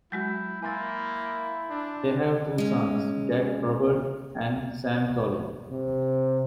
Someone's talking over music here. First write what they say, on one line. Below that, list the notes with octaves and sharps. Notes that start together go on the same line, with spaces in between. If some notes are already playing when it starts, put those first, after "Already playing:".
They have two sons, Jack Robert and Sam Colin.
F#3 G#3 E4 F#4 G6
A#3 E4 G#5 C6 A6
D4
G#3 C#4
C3